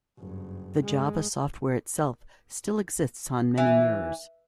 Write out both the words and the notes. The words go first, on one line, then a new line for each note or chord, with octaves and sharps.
The Java software itself still exists on many mirrors.
F#1 G2
G2 G#3
E3